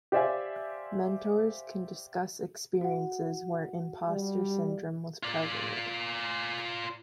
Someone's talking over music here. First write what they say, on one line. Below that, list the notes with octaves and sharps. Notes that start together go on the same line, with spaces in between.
Mentors can discuss experiences where impostor syndrome was prevalent.
G4 C5 D5 E5 F5 G#5
F#4 F#5
G3
F4 D5